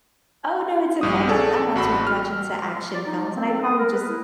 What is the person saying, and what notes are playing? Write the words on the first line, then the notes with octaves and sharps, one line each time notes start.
Oh, no, it's okay. I'm not I'm not too much into action films, and I'd probably just
A#1 G2 D#6
G#4 A4 D5
A1 F#4 B5 E6
F6
D5
D#4
G#3
C4
A4
D#6
A#4
B4
E4